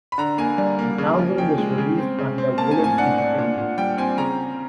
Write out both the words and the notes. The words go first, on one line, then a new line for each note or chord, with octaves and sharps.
The album was released under Woollim Entertainment.
B5
D3 A#5
A#3 G#5
G3
A#3
C#3
F3
C#3 G5
G#3
C#3
C4
C#3
C4
A#3 A5
G#5
A2
G#5
D4 F#5
D4
A#2
A#2
G3 G5
C4 G#5
C#3 A#5